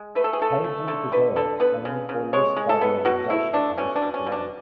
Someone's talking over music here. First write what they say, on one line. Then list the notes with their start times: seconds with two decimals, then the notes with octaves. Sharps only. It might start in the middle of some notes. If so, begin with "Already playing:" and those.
Caves and preserves owned or leased by the organization are listed below.
Already playing: G#3
0.15 A3 B4
0.24 A4
0.33 G#4
0.39 A3 A4
0.64 A3
0.87 D3 A4
1.12 D3 B4
1.36 D3 A4
1.60 B3 B4
1.85 C#3
2.09 C#3
2.33 G#3 C#5
2.56 G#3
2.69 A4
2.81 B3
3.05 B2 F#4
3.30 A3 E4
3.53 A3 D4
3.78 B2 C#4
3.96 D4
4.02 B2
4.14 C#4
4.26 B2
4.32 D4